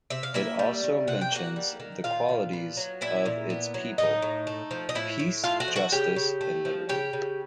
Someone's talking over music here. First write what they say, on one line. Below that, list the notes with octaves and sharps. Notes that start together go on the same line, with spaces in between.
It also mentions the qualities of its people: peace, justice, and liberty.
C3 E5
F5
A#3 E4 E5
G3
D#3
C3 F#5
G5
A#3 F#4 F#5
G3
D#3
A#2 F4 F5
A#2
B3
F#3
A#2 E4 E5
A#2
B3
F#3
A2 D#4 D#5
A2
A3
F3
D#5
A2 E4 E5
A2
A3 F4 F5
F#4 F#5
F3
F#4 F#5
C#3 G4 G5
C#3
A3
F3
C#3 G4 G5
C#3